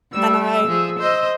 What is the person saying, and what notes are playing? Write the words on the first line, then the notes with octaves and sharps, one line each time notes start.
And I
G3 A3 E6
F3 G#4
C5 D#5